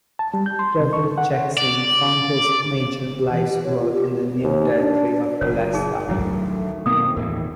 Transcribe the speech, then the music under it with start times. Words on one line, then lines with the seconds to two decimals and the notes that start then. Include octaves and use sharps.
Reverend Jackson found his major life's work in the new territory of Alaska.
0.19 A5
0.34 G3
0.46 G6
0.59 C6
0.80 C3
0.93 C#6
1.05 A4
1.18 F#5
1.57 D5
3.19 G4
3.32 E3
3.49 G4
3.64 C#5
3.80 F4
3.93 G4
4.43 D#2
4.78 D4
5.41 F#1 A#4 C#5
5.74 D#4 G#4
6.09 D2 D#3 F#3 A3 D4 E4 C#5
6.86 F2 B2 D#3 A#3 C4 D#6
7.16 D#2 A2 E3 A#4